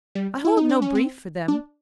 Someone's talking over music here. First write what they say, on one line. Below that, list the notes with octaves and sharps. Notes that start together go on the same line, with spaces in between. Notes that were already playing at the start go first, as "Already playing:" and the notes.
I hold no brief for them.
G3
E4
D#4
D4
C#4
C4
D4